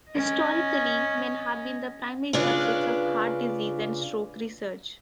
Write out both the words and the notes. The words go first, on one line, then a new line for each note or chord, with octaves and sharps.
Historically men have been the primary subjects of heart disease and stroke research.
C#4 D#5
C#3 D4 F4 B4